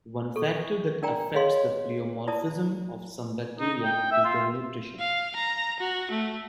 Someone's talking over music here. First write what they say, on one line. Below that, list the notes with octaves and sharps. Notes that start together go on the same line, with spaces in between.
One factor that affects the pleomorphism of some Bacteria is their nutrition.
A4 C#6
D4 A#4 D5 G5 G#5 A#5
G#4 C#5 D#5 F5 C6
E4 D5 A5 D#6
D#4
G5
E5
F4
F5
A#5
F#4
A3